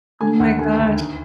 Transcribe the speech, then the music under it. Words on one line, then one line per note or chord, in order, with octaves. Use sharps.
Oh my gosh.
D3 G#5
D#2 F#5
D3 G#5
D2
D#3